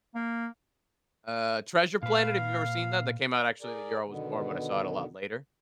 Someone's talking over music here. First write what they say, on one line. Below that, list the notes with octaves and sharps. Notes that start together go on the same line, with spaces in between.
Uh, Treasure Planet, have you ever seen that? That came out, actually, the year I was born, but I saw it a lot later.
A#3
A#2 B4 F5
G#4 A#4 D5
B2 D3 D#3 B3